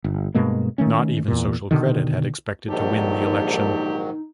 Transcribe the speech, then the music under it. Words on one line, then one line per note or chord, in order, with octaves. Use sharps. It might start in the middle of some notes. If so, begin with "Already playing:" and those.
Not even Social Credit had expected to win the election.
G1
G2 B2 G#3 A#3
D#3 A3 C#4
E2 A#2
B2 D3 D#3
A#1 G#2 D#3 F#3 D#4 G4 A4